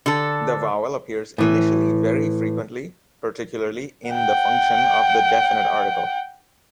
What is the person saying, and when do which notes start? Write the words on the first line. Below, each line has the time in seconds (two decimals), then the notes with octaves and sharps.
The vowel appears initially very frequently, particularly in the function of the definite article.
0.06 D3 A4
1.38 A2 E3
4.11 F#5 G5